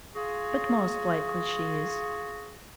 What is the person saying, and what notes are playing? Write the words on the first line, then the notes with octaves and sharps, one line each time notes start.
But most likely she is.
F4 F#4 G#4